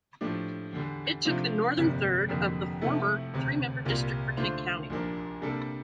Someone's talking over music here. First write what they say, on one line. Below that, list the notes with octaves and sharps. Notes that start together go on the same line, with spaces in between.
It took the northern third of the former three-member district for Kent County.
A2 F3 A3 D4 G4
E2 D3 G3
C3 F3 A3 D4 F4
G1 F2 C3 G3 A#3
F1 F2 D3 G3 A#3
C3 F3 A3 E4 A4
E1 D2 C3
C2 A#2 G3 A#3 F4
D3 A3 D4 F4 C5
A#1 A#2 G3 A#3 D4
C3 G3 A#3 D4 A4